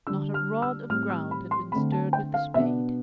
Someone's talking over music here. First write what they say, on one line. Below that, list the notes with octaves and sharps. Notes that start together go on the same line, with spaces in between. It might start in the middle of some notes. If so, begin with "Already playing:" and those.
Not a rod of ground had been stirred with the spade.
D3 G3 D4 E6
F6
E6
A2 G3 C4 F6
E6
B5
C6
D3 A3 C4 B5
A5
G5
F5
B2 B3 D4 E5